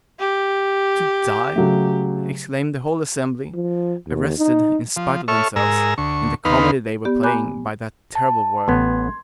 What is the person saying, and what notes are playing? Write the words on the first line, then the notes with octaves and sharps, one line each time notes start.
"To die!" exclaimed the whole assembly, arrested, in spite of themselves, in the comedy they were playing, by that terrible word.
G4
C#3 F#3 A3
F3
D#2
D#4
F3
A4 C#5 E5 C#6 F6
G#2 A#4 G#5 A#5 E6
D2 C#6
D#2 B3 D#4 B4 F5 C6
B3 G4 D5
G#5 A#5 B5 D6 F#6 G6
A5
A1 B3 C6 G#6